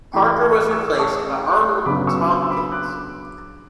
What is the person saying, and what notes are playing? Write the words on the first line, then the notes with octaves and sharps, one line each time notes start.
Parker was replaced by Arnold Tompkins.
A2 E3 A3 E4 G5 B5
A5 C#6
C#6 E6
D6
A5 C#6
C#3 F#3 B3 D4 B5 D6
C#6 E6
E6
B5 D6
D6 F#6